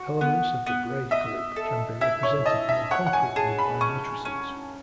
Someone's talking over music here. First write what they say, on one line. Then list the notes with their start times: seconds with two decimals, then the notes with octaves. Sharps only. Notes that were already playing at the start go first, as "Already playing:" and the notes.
Elements of the braid group can be represented more concretely by matrices.
Already playing: F#4
0.21 B3
0.66 B3
1.11 D#5 E5
1.56 A4
2.01 E4 E5
2.23 C#5
2.46 D#5 A5
2.69 E5
2.91 C#5 F#5
3.07 F#5
3.13 G#5
3.36 G#4 A5
3.58 B5
3.81 C#4 C#6
4.25 C#4